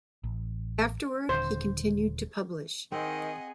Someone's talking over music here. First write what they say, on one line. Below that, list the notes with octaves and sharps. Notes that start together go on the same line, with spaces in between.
Afterward, he continued to publish.
A1
D#1 D3 C5
D#3 C4 G#4 D#5 F#5